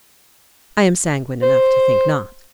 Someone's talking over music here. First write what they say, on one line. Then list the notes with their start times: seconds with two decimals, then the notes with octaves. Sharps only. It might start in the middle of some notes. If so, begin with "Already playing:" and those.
I am sanguine enough to think not.
1.42 C5